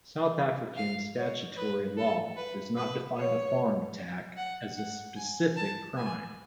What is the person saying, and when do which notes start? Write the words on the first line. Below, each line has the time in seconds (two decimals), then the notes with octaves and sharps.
South African statutory law does not define a "farm attack" as a specific crime.
0.77 F5
1.17 C#5
1.57 B4
1.97 A4
2.36 B4
2.77 B4
3.17 C#5
4.37 F#5
4.77 F#5
5.17 G#5
5.56 A5
5.96 G#5